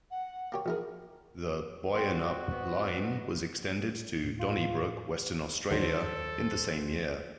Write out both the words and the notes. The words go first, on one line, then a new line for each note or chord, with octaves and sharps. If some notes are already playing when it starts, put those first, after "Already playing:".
The Boyanup line was extended to Donnybrook, Western Australia in the same year.
F#5
A#3 G4 C#5
A#1 E4 G#4 A#4
A#2 C4 F#4 F#5 G5 C6
B3
D#2 A2
F4
D#2 D3 D#3 F#3 A4 C5